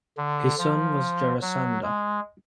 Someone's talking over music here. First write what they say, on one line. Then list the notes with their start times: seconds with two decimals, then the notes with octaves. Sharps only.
His son was Jarasandha.
0.17 D3
0.58 F3
1.42 F#3
1.83 G#3